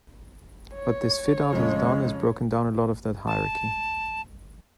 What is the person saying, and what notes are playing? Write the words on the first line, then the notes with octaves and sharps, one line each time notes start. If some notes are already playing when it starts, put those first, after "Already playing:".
What this fitout has done is broken down a lot of that hierarchy.
C#5
F2 C#3 G#3
A5